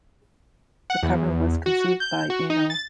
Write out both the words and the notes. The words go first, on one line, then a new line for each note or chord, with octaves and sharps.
The cover was conceived by Eno.
F#5
E2
F#4
G6
F#4
D#4
A6